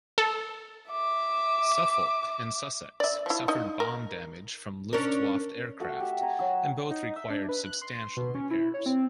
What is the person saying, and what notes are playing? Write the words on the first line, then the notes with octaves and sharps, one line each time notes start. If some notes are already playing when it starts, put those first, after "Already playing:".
"Suffolk", and "Sussex" suffered bomb damage from Luftwaffe aircraft, and both required substantial repairs.
A4
E5 D6
D5 E5
F3 E4
D#4 D#5
A#4
C#4 D4 A#4
A3 F#4 F#5
G4 E5
F#5 G#5 A#5
F#3 F#4 E6
D#4
E5
D4
B4
F#6
C6
B2
C#4
E4
C#5
C4